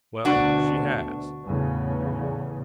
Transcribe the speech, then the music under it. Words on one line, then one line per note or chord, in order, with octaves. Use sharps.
Well, she has.
D2 B2 D4 F#4
E2 A2 C#3